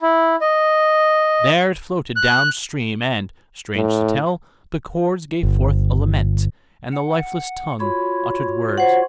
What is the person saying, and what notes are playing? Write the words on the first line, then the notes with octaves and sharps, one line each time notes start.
There it floated down stream and, strange to tell, the chords gave forth a lament, and the lifeless tongue uttered words.
E4
D#5
F#6
A2
G1
F#5
F4 F#4 C#5 B5
C5 F#5